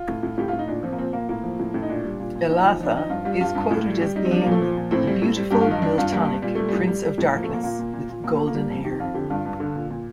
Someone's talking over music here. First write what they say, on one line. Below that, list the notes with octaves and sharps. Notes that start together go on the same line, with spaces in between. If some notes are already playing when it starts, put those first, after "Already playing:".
Elatha is quoted as being the "beautiful Miltonic prince of darkness with golden hair".
Already playing: F4
A2
A2
A2 G4
A2 F4
D#4
A#2 D4
F3 C4
A#3
A#2 C4
A#2 A#3
A2 A#3
F3
A2
A2
D#4
A#2 D4
G3
A#2
A#2
A#2 D#4
F3
F3 D4
F3 D#4
G2 F4
G3 F4
G2 F4
G2
A2
G3
G3 G4
G3 D#4
C4
F3 D4
A#3
A#2
A3
F3
A#2
A2 C4
G3
A2
G3
G2 G4
F4
D#3 D#4
G2 D4
G2 F4
G3 A#3
G3
A#2 G3
G3 A3
A2 G3
G3
G3
A2
F3 A#3
A3
A#2 A#3
A#2 A#3
A#2
A#2
A#2
A#2 A#3
A#2 A3
A#3
G3
F2
D#3 G4
F2 F4
D3 G4
G2 F4
G2
D3
A#2
A#2